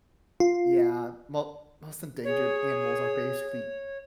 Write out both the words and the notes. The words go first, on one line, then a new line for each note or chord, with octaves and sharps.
Yeah, mo most endangered animals are basically
F4
G#4 C#5